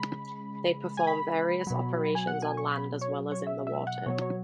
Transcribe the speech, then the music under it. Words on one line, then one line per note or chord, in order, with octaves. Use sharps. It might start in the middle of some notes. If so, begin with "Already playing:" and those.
They perform various operations on land as well as in the water.
Already playing: C#3 G#3 B5
G#5
B5
B2 F#3
G#5
F#5
G#5
C#6
B5
C#5
C#5
E5
E5
F#5
B2 F#3 C#5
C#5